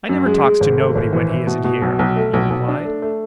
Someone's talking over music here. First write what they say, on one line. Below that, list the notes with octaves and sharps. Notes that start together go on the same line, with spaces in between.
"I never talks to nobody when he isn't here!" he replied.
F#2
G#3
G#3
G#1
A3
G#1
E3
E4
B2
B2
B1
B1
A3
B1
B1
D4
A3
A3